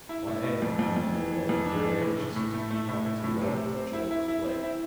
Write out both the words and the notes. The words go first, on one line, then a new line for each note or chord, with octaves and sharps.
I am, you may believe, very anxious to get off Toulon, to join the fleet.
E4
A2
A2
F2
F2
F2
E3
E3
F2
D4
E3
A2
A2
A2
A3
A3
A2
A2
A2
C3
C3
C4
E4
E4
E4
C4
E4